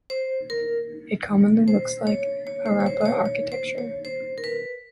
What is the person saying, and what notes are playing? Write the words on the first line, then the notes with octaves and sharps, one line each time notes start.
It commonly looks like Harappa architecture.
C5
A#4
C5
C#5
C#5
C5
C#5
C5
C5
C#5
C#5
C5
C#5
C5
A#4
B4